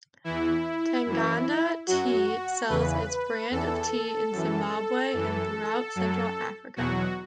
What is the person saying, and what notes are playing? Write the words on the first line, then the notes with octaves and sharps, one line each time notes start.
Tanganda Tea sells its brand of tea in Zimbabwe and throughout central Africa.
E2 E3 E4
F#2 E3
F#2 F#3 F#4
E2 C#3 E3 B4
E2 E3 A4
F#2 E3
F#2 E3
F#2 F#3
E2 B2 F#3 F#4